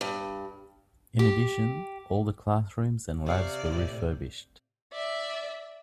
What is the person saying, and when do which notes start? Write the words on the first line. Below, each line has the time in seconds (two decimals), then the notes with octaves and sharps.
In addition, all the classrooms and labs were refurbished.
0.01 G2
1.19 G4
3.26 C3 D5 F5 C#6
3.65 A2
4.93 D5 E5